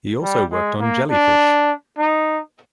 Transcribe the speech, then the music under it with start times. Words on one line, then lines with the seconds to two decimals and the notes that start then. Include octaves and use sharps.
He also worked on jellyfish.
0.23 G3
0.52 G#3
0.80 A#3
1.11 D4
1.98 D#4